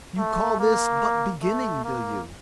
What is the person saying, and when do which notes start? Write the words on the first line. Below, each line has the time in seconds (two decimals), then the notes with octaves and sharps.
You call this but beginning, do you?
0.18 A3
0.60 A#3
1.42 A3
1.84 A#3